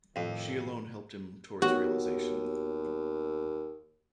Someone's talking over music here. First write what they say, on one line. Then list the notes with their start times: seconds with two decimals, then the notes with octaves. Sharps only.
She alone helped him towards realisation.
0.16 F2 A2 D#3
1.62 D#2 B3 F#4 G4 C#5